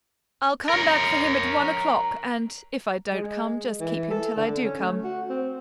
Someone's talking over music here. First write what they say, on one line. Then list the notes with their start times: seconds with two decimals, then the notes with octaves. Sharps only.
"I'll come back for him at one o'clock, and if I don't come, just keep him till I do come."
0.69 A#4 C#5
3.13 G#3
3.80 E3
4.11 A4
4.37 D3
4.64 C#4
4.79 A3
5.04 F#4
5.30 C4